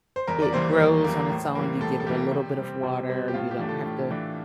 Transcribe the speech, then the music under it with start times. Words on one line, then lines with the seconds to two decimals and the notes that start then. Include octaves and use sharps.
it grows on its own, you give it a little bit of water, you don't have to
0.16 C5
0.27 E2 A#4
0.42 D5
0.53 E3 G3 A#3 C5
0.78 E2
1.04 E3 G3 A#3
1.30 A2
1.55 E3 G3 A#3
1.81 A2 A4
2.00 A4
2.07 E3 G3 A#3 G4
2.31 C3
2.57 G3
2.62 C4
2.83 C3
3.09 G3 C4
3.28 G4
3.34 A2 F4
3.51 G4
3.59 E3 A3 D4
3.69 A4
3.86 A2
4.11 E3 A3 D4